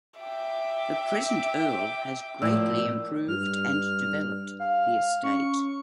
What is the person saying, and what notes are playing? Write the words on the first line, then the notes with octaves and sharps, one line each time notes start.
The present Earl has greatly improved and developed the estate.
E5 G5 D6
A2 F3 A#4 D5 E6
G2 F6
F5
C#4 C#6